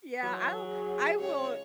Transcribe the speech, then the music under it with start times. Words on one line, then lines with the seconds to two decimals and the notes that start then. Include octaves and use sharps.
Yeah, I will I will
0.23 E3 F#3
0.62 G#4
1.19 C#2 C#5